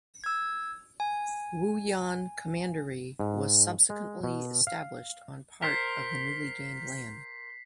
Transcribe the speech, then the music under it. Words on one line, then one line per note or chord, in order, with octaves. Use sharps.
Wuyuan Commandery was subsequently established on part of the newly gained land.
E6 G#6
G#5
G#2
G#3
B2
F5
A#4 C5 B6 C7